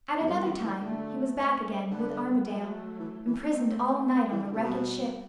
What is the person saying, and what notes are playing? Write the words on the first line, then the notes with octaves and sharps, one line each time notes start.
At another time he was back again with Armadale, imprisoned all night on the wrecked ship.
E2
F#2 G3 B3
E3
E3
D3 F#3 A3
A3 C4
D3 G3 B3
F#3 A3
E3
E3
A3 C4
E3
D3
C3
B2 G3 B3